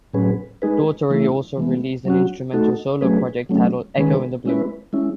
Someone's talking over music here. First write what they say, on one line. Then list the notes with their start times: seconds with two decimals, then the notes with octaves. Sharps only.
Daugherty also released an instrumental solo project titled "Echo in Blue".
0.13 A2 F#3 C#4 G#4 B4
0.62 G#3 D#4 G#4 B4
1.10 E3 A3 C#4 E4
1.57 E3 G#3 B3
2.05 F#3 C#4 F#4
2.53 A3 D#4 F#4 A4
3.01 F#3 A3 C#4 G#4 B4
3.49 F#3 A3 C#4
3.98 D#3 G#3 C#4 G#4 B4
4.45 G#3 C#4 E4 B4
4.93 G#3 C#4 E4